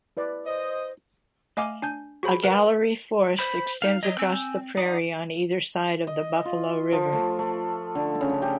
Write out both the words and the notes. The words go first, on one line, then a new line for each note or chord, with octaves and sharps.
A gallery forest extends across the prairie on either side of the Buffalo River.
E4 B4 D5
C5 D#5
A3 D#5 F5 G#5 D6 F6
D4 G#5 G6
F#4 G#4 C5 B5
A#4 B4 F#5
C5 B5
D#4 F5
F#3 D#5
C4 G#5 E6 G6
D#4 D5 F#5
D#5
F4
F3
A3
A3
D3
C#3
G4